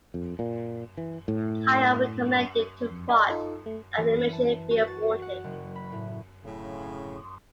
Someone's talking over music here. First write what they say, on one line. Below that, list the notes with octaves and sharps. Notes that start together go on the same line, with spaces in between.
Kyle recommended to Vaught that the mission be aborted.
F2
A#2
E3
A2
F2
D5 D#5 G#5 B5
D#4 F4 A4
A3
E3
A5
F#4
A6
F#5
F#1
B5
A2
D1 A2 C#3